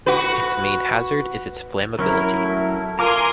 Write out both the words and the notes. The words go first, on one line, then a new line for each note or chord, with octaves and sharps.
Its main hazard is its flammability.
F#4 B4
F#3 C#4 E4 A#4
A3
F4 A#4 G#5 A#5 C6 D6 F6